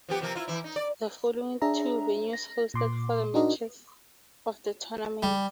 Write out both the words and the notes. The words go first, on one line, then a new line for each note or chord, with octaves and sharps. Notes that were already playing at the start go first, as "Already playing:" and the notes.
The following two venues hosted for the matches of the tournament.
F3 B3 G4
C3 F3 A#3
E4 F4
E3 E4
D#4
D5
D4 G#4 E5 A#5
A#6
A#2 C6 D6
D4 D#4 F#4 A#4 D#5
G3